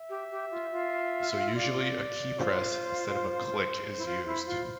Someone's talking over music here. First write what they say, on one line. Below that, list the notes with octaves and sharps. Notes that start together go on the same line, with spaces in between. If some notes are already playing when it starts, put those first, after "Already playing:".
So usually a keypress instead of a click is used.
Already playing: E5
G4
G4
F4
F4
D5
F4 C5
E4
F4
E4
F4